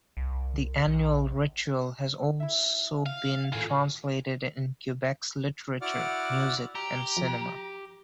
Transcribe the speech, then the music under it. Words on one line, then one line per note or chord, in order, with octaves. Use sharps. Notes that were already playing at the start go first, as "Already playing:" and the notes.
The annual ritual has also been translated in Quebec's literature, music and cinema.
C2
A#1
E4 E5
F5
D#1 A2 F4 G#4 C7
E4 F#4 D5 F#5 D6 F6
G4 A#5
F2